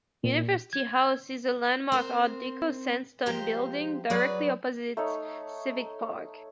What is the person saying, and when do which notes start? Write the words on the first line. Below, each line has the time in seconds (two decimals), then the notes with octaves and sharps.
University House is a landmark Art Deco sandstone building directly opposite Civic Park.
0.24 A#2
0.73 G#6
1.92 C4 A#4 C5
3.26 F3 G#3 G4 C5 G5 A#5
4.10 F#3 G#4 B4 D5
4.97 A3 D#4 C#5